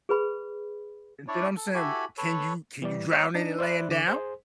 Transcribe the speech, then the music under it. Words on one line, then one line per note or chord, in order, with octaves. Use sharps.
then I'm saying, "Can you can you drown in it laying down?!"
G#4 B4 B5
D4 E4 C#5 D5
A4
E4 F#4 G4 A4 G#5 B5
A4 B4 C#5
E3 G3 D5
C#5 D#5 F#6
D4 D#4
C5 D5 E5 B5 F#6
D3 D6
G#4 C5